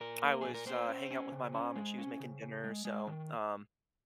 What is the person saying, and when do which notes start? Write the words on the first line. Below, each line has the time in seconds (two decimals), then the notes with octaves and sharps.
I was, uh, hanging out with my mom and she was making dinner, so, um,
0.01 A#2 A#4
0.23 A#3
0.41 A#2 G#4
0.54 A#4
0.66 A#3 C5
0.88 C#4
1.11 C#4
1.32 C#3
1.54 C#4
1.76 G#3
1.98 C#4
2.20 C#3
2.42 C#3
2.64 G#3
2.85 G#3
3.07 D#3